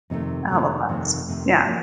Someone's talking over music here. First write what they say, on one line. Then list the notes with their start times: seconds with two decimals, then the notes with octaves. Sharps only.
a loe plants, yeah.
0.10 F2 C3 D#3 A3
0.49 F2 C3 D#3 A3
0.88 F2 C3 D#3 A3
1.28 F2 C3 D#3 A3
1.67 F3 A#3